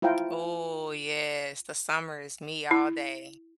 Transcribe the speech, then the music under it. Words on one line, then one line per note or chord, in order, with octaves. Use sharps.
Ooh, yes, the summer is me all day.
E4 F4 C5 F5 G5 A#5
E4